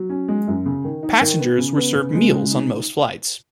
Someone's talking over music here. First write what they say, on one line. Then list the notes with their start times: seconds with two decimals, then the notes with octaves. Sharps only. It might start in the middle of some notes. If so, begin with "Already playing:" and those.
Passengers were served meals on most flights.
Already playing: F#3
0.10 C#4
0.28 G#3
0.47 F#2
0.66 C#3
0.84 D#3
1.03 D#4
1.21 D#3
1.39 B3
1.58 C#3
1.77 B3
1.95 C#3
2.14 G#3
2.32 C#3
2.51 D#4